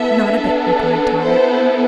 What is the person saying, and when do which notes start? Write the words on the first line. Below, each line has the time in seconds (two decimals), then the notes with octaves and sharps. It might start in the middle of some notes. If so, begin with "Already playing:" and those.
"Not a bit," replied Tommy.
Already playing: B3 E4 A4 E5
0.30 B3 D4 A4
1.22 B3 E4 A4 C5